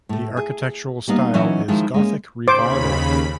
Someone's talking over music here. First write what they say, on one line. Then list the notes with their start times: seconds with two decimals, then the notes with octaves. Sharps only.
The architectural style is Gothic Revival.
0.09 A2 A3
0.37 G#4
1.08 G3 A#3 B3 D#4 F5
1.34 E3 F#3 C#4 D#4 D#5 E5
1.68 D#3 F3 G#3 E4 F4
1.94 G#3 A#3 C#4
2.48 D#2 C#3 C5 B5 D6